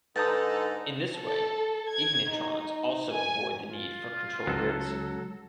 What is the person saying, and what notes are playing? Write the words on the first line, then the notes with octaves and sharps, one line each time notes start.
In this way, ignitrons also avoid the need for control grids.
G#2 D3 D#4 A4 B4 D#6 G6 A6
A4
G#6
D#4
G#5
F4
C#2 F#3 A4